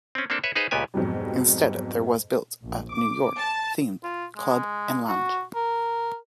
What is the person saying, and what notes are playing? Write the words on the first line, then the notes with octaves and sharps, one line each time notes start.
Instead, there was built a New York-themed club and lounge.
C4 C#4
A#3 C4 D4 A4
B4 C#5 E5
D#4 G#4 B4 C5 F5
C#2 A#2 B3 G4 G#5
F2 G#2 B2 F#3 G3
A#1
D6
A5
F4
G#3
F#4
A#4